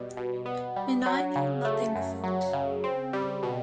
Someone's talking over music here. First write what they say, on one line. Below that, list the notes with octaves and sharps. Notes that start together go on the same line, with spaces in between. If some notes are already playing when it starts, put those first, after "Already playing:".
And I knew nothing of it!
Already playing: B2 G3
B2
B3
G3
F#3
C#3
A3
F#2
F#3
C#3
C4
G3
B2